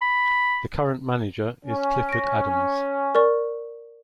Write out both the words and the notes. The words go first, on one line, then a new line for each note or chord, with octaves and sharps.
The current manager is Clifford Adams.
B5
C#4
A#6 D7
A#4 D5 C#6